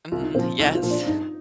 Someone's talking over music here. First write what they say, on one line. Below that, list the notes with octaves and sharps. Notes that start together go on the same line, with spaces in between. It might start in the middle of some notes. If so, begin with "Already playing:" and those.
Mhm. Yes.
C2 F4
D#4
A#2 F3 C4
C2 D#4
F4
A#2 F3
D4
G2 D#4